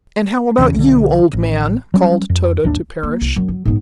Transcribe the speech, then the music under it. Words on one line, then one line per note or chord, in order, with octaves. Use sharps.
"And how about you, old man?" called Tode to Parrish.
E1 E2 C#3 C#4
B1 D3
A1
F#3 G3 C#4
F2
D1 G#1 D#2 D4
A#3
C2
F#2
F#3
G#2 B3